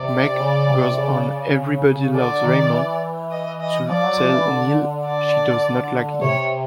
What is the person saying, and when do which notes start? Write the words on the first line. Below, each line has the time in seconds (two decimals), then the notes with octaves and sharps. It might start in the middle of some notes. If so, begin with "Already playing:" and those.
Meg goes on "Everybody Loves Raymond" to tell Neil she does not like him.
Already playing: C3 D5
0.40 C#3
0.70 C3
0.98 C#3
2.15 D3 D5
2.44 D#3
2.73 E3
3.31 D#5
3.60 D#5
3.88 F3 D5
4.04 F#3
4.18 F3
4.33 E3
4.47 D3
5.06 D5
6.21 C3 C#5